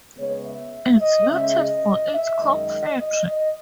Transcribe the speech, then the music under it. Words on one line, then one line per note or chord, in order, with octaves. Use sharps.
It's noted for its Coke factory.
C#3 G#3 B3 C#5
E5
D#5
C#3 G#3 C#4 E5
D#5
E5
F#2 D#3 G#3 D#5
D#5
D#5